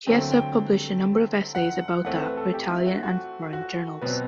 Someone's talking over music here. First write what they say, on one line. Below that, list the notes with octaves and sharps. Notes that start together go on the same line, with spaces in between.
Chiesa published a number of essays about that for Italian and foreign journals.
D3 F#3 A3 C4 G5
G5
F#5
E3 A3 C4 F#5
B4
A4
G4
E4
F#4
F#4
F#4
B2 F#3 C4 B4